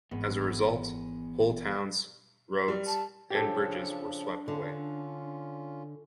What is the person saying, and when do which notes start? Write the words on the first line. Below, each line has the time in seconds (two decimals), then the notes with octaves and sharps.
As a result, whole towns, roads, and bridges were swept away.
0.11 G#1 E2 G#3 B3
2.68 G3
2.87 A5
3.30 C#3 F3 D4 G4 A4
4.48 D3 C#4 F4